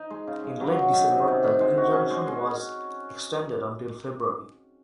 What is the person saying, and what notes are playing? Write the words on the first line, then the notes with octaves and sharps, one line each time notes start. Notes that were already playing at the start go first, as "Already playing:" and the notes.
In late December the injunction was extended until February.
Already playing: D#4
G#3
C#3
G#3
F#3
F#3
D#3
C3
C3
D#3
G#3
F#4
C#4
G#3
G#3